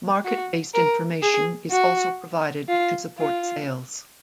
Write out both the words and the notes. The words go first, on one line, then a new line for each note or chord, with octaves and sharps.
Market based information is also provided to support sales.
F#4
A#4
G#4
F#4
F4
F4